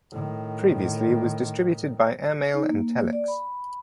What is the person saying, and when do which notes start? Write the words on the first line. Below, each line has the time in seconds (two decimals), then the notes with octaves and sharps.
Previously it was distributed by airmail and telex.
0.11 A2 D#3
2.54 D#4
2.69 A#3
3.13 D5
3.28 B5